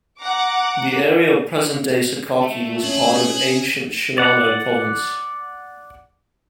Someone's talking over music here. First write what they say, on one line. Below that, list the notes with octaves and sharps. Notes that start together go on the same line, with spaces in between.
The area of present-day Sakaki was part of ancient Shinano Province.
F#5 A#5 D6
A4 E5
C#4 G#4 F#7
D5 F#5